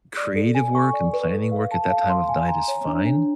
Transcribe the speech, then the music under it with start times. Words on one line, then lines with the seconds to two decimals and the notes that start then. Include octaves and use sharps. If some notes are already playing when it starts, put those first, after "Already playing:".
creative work and planning work at that time of night is fine.
0.17 D5
0.36 A4
0.55 G#5
0.75 C#6
0.94 D5
1.13 B4
1.32 A4
1.52 F5
1.71 A5
1.90 F5
2.10 C6
2.29 G#5
2.48 A#5
2.68 C#5
2.87 D4
3.06 D4